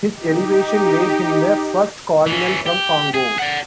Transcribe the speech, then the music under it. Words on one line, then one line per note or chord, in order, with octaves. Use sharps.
His elevation made him the first cardinal from Congo.
D#4 G4
E3 C#4
G4
G#4
D5 F#5